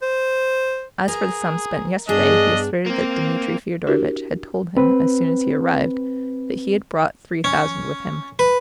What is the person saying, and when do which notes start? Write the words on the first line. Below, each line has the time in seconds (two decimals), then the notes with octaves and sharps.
As for the sum spent yesterday he asserted that Dmitri Fyodorovitch had told him, as soon as he arrived, that he had brought three thousand with him.
0.02 C5
1.08 G#4 A#4
2.09 G2 B3 D4 G#4 D#5
2.86 A#3 C4
3.87 D4 E4 F#4 G4 A#4
4.77 C4 B4
7.44 C#4
8.39 B4